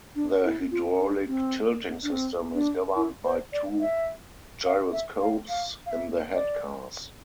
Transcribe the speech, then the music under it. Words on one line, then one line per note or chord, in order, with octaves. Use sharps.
The hydraulic tilting system is governed by two gyroscopes in the head cars.
D4
E4
F4
D4
C4
D4
C4
D4
E4
C5
D5
E5
F5
E5
F5
F5
F5
E5
D5